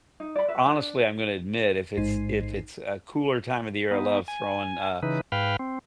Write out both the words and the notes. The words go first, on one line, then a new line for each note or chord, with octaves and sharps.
honestly, I'm gonna admit, if it's if it's a cooler time of the year, I love throwing uh,
D#4
D5 B5
B4 E5
D4
A1 G#2 G#3 D#4 C5 C7
B3 D#4
G#5
C#3 E3 D#4 B4
G#2 B4 F5 G5 B5 F6
C4